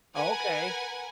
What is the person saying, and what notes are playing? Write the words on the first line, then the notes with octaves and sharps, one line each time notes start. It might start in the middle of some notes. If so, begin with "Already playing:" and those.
Oh, okay.
A#4 B4 F#5 G#5